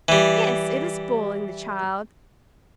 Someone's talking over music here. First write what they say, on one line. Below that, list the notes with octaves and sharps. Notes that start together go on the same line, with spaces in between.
'Yes; it is spoiling the child.
E3 G3